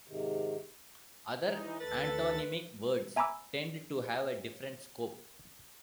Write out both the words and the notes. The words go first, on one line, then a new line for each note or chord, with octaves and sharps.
Other antonymic words tend to have a different scope.
G#2 C3 D#3
E3 D#4
D2 A4 B4 A6
E5 G#5 A#5 B5 D6 E6